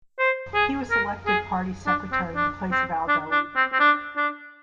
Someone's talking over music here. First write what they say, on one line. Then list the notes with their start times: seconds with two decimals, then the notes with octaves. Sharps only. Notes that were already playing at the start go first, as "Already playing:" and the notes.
He was elected party secretary in place of Al-Daud.
0.19 C5
0.54 G#4
0.91 A#4
1.27 G#4
1.87 D4
2.12 C4
2.36 D4
2.72 C4
3.08 D4
3.32 D4
3.56 C4
3.73 C4
3.80 D4
4.17 D4